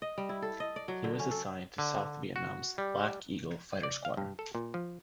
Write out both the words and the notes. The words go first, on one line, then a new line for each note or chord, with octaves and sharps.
He was assigned to South Vietnam's "Black Eagle" Fighter Squadron.
D#5
G3
E4
A4
D#5
D5
F#3
D3
C#4
A4
D3
F#4
G3
D5
F5
G2
A4
A#2
F3